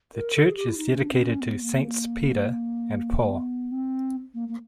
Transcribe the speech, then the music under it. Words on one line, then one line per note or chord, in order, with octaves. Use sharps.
The church is dedicated to Saints Peter and Paul.
A#4
A4
G#4
G4
E4
D#4
C#4
D4
C4
C#4
B3
A#3
A#3
B3
C4
A#3
A#3